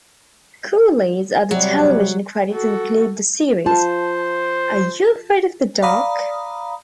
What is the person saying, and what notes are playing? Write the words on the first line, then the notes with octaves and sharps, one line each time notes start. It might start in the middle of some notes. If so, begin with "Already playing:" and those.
Cooley's other television credits include the series, Are You Afraid of the Dark?
C3 F#3 G3
F#4 A4
F4 C5 A5
D5 F5 A#5 B5 D#6